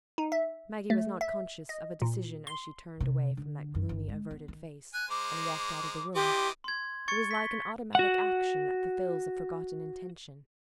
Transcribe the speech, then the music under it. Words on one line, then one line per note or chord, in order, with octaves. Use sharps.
Maggie was not conscious of a decision as she turned away from that gloomy averted face, and walked out of the room; it was like an automatic action that fulfils a forgotten intention.
D#4
E5
A3
E5
D#5
A#2
C6
C3
D3
F#2
G1
G#3
B3
D#3
G#5 F#6
G#3 C5 A#5 D6
E3 G4 D#5 C6 D6
C6 G#6
C#6 G#6 A6 C#7
B6 G7
F#4 F#5